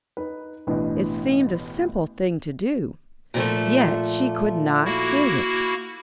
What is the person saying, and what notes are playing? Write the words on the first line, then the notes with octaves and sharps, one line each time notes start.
It seemed a simple thing to do, yet she could not do it.
D#4 B4
A1 B2 E3 B3 D4 D#5
A#2 F3 A3
A#3 E4 F#4